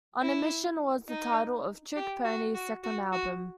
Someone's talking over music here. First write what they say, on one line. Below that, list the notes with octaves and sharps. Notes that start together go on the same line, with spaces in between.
"On a Mission" was the title of Trick Pony's second album.
E4
D#4
G4
F#4
F#4
F#4
F#4